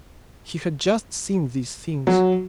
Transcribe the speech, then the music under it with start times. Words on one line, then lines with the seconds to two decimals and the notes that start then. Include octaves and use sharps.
He had just seen these things.
2.07 F#3